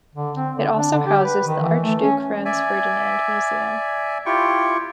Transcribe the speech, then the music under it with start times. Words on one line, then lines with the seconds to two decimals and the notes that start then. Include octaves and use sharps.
It also houses the Archduke Franz Ferdinand Museum.
0.15 D3
0.36 C4
0.56 D3
0.77 D4
0.92 D3
1.06 G4
1.24 B4
1.47 D#3
1.61 E3
1.83 A3
2.01 C#4
2.45 D5 E5 G#5
4.26 E4 F4 G4 G5 C#6